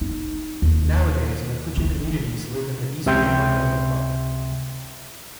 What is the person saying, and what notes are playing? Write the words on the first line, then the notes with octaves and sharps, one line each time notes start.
Nowadays Mapuche communities live in the eastern part of the park.
D#4
D#2
D2
C#2 C3 E5 G5 C6 G6